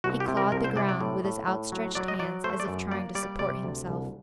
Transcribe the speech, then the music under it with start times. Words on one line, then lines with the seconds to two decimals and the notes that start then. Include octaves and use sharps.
He clawed the ground with his outstretched hands as if trying to support himself.
0.04 C2 F#4
0.20 G4
0.28 C3
0.37 A#4
0.52 C2 A#4
0.64 C5
0.76 C3 D5
0.89 D5
1.00 A2
1.25 A2
1.47 A2
1.72 F#3
1.95 F#3 D5
2.08 D#5
2.19 F#3 D5
2.44 A3 C5
2.60 D5
2.68 F#2
2.91 A#3 D5
3.15 G3 D5
3.39 C3 D5
3.63 D2
3.87 C2